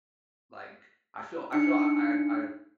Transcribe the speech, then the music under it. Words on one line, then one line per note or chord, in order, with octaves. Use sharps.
Like, I feel I feel I I
D4 D#4 C#7